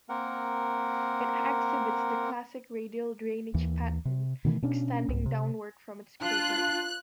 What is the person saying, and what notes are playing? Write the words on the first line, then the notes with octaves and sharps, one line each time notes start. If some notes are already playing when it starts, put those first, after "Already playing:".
It exhibits the classic radial drainage pattern, extending downward from its crater.
A#3 C4 A#4 F#5
D#2 E3
C3
B2 D#3 E3 A3
B2 C#4 D4
C2 G#2
C3
D4 F4 F#6